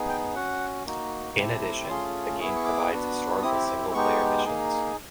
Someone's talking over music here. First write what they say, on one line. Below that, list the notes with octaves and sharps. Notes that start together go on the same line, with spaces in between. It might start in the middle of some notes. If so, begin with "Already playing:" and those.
In addition, the game provides historical single-player missions.
Already playing: B3 D#4 G#4
G5
C#4 F#4 F#5
A#3 D#4 F#4
A3 C4 E4 G4
A#5
A3 C#4 F4 G#4 C6
B3 E4 G#4 C#6
C#6
D6
B3 D4 F#4
C4 E4 G4 D#6
D6
G#3 B3 D#4 G4 C#6
A#3 D#4 G#4